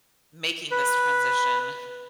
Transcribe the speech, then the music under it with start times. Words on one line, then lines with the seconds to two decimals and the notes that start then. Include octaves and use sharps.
"making this transition.
0.71 B4